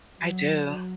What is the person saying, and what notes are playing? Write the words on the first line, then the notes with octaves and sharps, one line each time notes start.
I do.
F#3
F#3